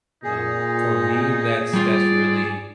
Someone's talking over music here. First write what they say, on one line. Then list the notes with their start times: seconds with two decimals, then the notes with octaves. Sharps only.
um, for me, that's that's really
0.24 A#2 D#4 G#4
1.73 G3 F4 D5